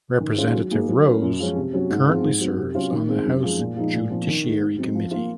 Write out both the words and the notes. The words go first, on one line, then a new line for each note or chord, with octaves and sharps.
Representative Rose currently serves on the House Judiciary committee.
D#3
G#3 C#4 F4
F#3
A#3 D#4 G#4
F#3
C#4 F#4 A#4
F#2
F3 G#3 C#4
C3
F#3 C#4
G#2
F3 G#3 C4 F4
G#2
F#3 C4
C3
F#3 C#4 F4
D#3
G#3 C4
F#2
F3 G#3
A#2
F3 G#3 D#4
A#2
F3 C4
D#3
G#3 D#4
G#2
F#3 C4 D#4
F3
A#3 F4